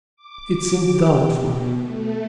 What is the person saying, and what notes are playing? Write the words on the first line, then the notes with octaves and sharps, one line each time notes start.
It seemed doubtful.
D6
G4
B2
A3